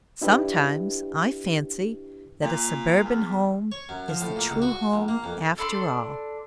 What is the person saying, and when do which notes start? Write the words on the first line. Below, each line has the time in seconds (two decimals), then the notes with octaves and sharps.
Sometimes I fancy that a suburban home is the true home after all.
0.22 D4 E4 G4 B4
2.42 A#2
3.05 E2
3.72 C#5
3.89 F#2
4.08 F3
4.21 A2
4.36 A#2
4.50 C#2
4.62 F#4
4.93 A#1
5.08 A#3
5.24 F2
5.58 D4 A4 B5 C6